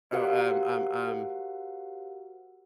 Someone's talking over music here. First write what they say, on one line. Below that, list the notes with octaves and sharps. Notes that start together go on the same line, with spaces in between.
Oh, um um um
F#4 G4 A#4 C5 F5 F#5